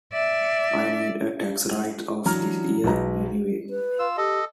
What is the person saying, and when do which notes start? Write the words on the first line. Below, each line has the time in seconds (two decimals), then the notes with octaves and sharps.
I need a tax write-off this year anyway.
0.13 D5 E5
2.25 E3 F#3 D4 A#5 F6
2.84 B1 G#3 B4 A#5
3.70 B4
3.99 F4 E6
4.17 G4 A4 D#5